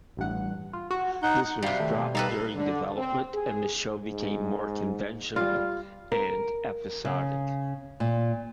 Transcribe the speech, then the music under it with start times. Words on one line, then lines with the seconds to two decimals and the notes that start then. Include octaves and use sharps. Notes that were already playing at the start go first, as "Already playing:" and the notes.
This was dropped during development, and the show became more conventional and episodic.
0.17 A1 G2 F#5
0.73 F4
0.91 F#4
1.23 D#4 F#5 G6
1.63 C3 G3 F#4 F5
1.80 D#3 A3
1.95 B2
2.15 G3 A#3 D#4 A4 B4
2.56 D3
2.97 C4
3.34 G#4
4.03 G#2
5.36 G3 F4
6.12 A#4
7.05 C#3
8.00 A#2